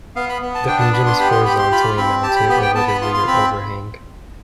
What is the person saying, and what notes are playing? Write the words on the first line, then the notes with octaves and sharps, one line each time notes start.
The engine is horizontally mounted over the rear overhang.
B3 F5
B5
B3
A5
D4 G5
A5
B3 B5
C6
G4 B5
C6
G4 B5
C6
F4 B5
C4 B5
G4 A5
B5
B3 B5
G5
B3 A5
B5
F4 C6
C6
C4 B5